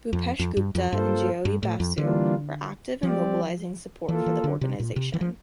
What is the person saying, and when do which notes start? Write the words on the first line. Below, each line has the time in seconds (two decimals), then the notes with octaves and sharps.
Bhupesh Gupta and Jyoti Basu were active in mobilizing support for the organization.
0.13 F2
0.39 F2
0.57 G2
0.75 F2
0.92 G2 A#3 F4 A4 C5
1.45 G2
1.63 A2
1.80 F2
1.98 D3 E3 G3 A#3 D4 F4
3.03 F3 G3 C4 G4 D5
4.09 E3 A#3 F4 A4
4.26 E3
4.44 D3
4.61 C3
4.80 A#2
4.96 C3
5.14 E3
5.21 F3